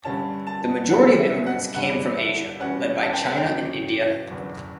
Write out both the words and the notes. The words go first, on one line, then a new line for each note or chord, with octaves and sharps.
The majority of immigrants came from Asia, led by China and India.
G2 D3 G3 C#4 A5
A5
F#2 C#3 G3 B3 D4 F#5
E5
F#5
G2 D3 G3 D4 F#5
E5
E2 B2 G3 C#4 F#5
A5
G5
F#5
G5
E2 C#3 F#3 C#4
F#1 E2 D3